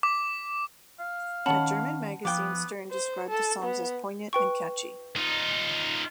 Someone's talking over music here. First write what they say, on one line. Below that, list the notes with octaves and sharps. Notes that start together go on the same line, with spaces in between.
The German magazine "Stern" described the songs as poignant and catchy.
D6
F5
D#3 C#4 F#5 A5 B5
F3 B3 G5 D6
C5
A4
B3
B4 G5 C#6
D#4 F4